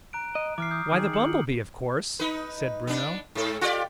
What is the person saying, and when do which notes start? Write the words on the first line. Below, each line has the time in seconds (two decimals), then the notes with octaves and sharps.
"Why the bumble-bee, of course!" said Bruno.
0.13 A#5 F#6 D7
0.35 D#5
0.58 E3 D6 F6 C7
0.71 D#6 G6
0.93 D#3 G#4
1.13 C#7 F#7
2.20 D#4 B4
2.87 B3 D4
3.35 G#2 A4
3.61 F4 G4 D5